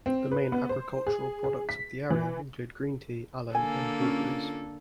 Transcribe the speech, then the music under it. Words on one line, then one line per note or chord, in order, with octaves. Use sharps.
The main agricultural products of the area include green tea, aloe and blueberries.
C4
B4
B3
C5
G#4
G#4
B6
E3
D3 A#3 A4 G#5
C#4 F4